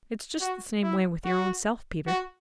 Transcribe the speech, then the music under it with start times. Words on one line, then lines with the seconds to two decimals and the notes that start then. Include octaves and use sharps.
It's just the same way with your own self, Peter.
0.41 F#4
0.83 E4
1.25 F#4
2.07 F#4